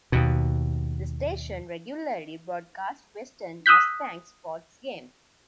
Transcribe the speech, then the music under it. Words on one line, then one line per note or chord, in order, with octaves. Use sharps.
The station regularly broadcasts Western Mustangs sports games.
D#2 B2
D#6 E6 F#6 G6 B6